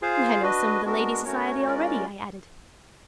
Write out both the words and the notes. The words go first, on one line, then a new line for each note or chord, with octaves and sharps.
"And I know some of the lady-society already," I added.
F4 G#4 C5 F5
D4 F#4 B4 D#5
G#3 B3 D4 F#4 A#4
A3 C#4 F#4 A#4 C#5
G#3 C#4 F4 A#4 D5